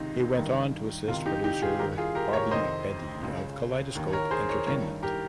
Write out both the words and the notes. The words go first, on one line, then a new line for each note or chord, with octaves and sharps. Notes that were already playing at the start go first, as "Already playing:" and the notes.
He went on to assist Producer Bobby Bedi of Kaleidoscope Entertainment.
Already playing: C#2 C3 D#3 D#4
G2 D#3
C#2 C3 D#3 F4
D#4 G4
D#4 G4
F4 G#4
G2 D#3 G4 A#4
F4 G#4
G4 A#4
A#4 C#5
F2 C3 D#3 C5 D#5
C#2 C#3
D#2 D#3
A#4 C#5
G#4 C5
A#4 C#5
G2 D#3 A#4 C#5
G4 A#4